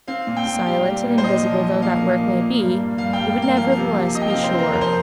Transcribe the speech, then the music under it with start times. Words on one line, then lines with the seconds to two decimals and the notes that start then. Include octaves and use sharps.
Silent and invisible though that work may be, it would nevertheless be sure.
0.08 C4 F5
0.27 A#2
0.37 G5
0.46 A#2
0.66 G3 F5
0.85 G3
1.05 A#2
1.18 C5
1.24 A#2 D#5
1.43 F3
1.63 F3
1.82 A#2 F5
2.01 A#3
2.21 A#3
2.40 A#3
2.60 G2
2.79 G2
2.98 G2 F5
3.13 G2 G5
3.37 A#3 F5
3.57 F3 F5
3.76 C3
3.96 C3
4.15 C3 D#5
4.22 G5
4.30 C4 F5
4.43 C5
4.54 C4 A#4
4.73 F2 A#4
4.81 C5